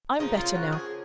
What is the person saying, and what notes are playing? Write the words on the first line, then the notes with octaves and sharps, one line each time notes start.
I am better now.
C#3 F3 A#3 D#4
F4
F#4
G#4